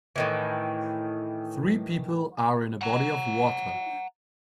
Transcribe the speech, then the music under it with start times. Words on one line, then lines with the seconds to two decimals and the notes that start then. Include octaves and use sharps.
Three people are in a body of water.
0.16 A2 D#3 E3
2.82 F#5 A#5